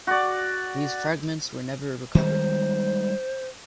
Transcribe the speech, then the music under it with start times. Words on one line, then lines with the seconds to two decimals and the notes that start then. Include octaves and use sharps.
These fragments were never recovered.
0.07 F#4 D5
2.15 D#3 G3 G#3 C5